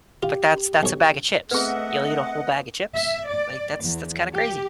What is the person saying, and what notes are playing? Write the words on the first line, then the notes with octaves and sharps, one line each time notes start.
but that's that's a bag of chips. You'll eat a whole bag of chips. Like, that's that's kinda crazy.
F4 G4
B1 C#5
A3 B3 C4 G#4 B4 D#5 E5 F#5
E5
D5
E2
G4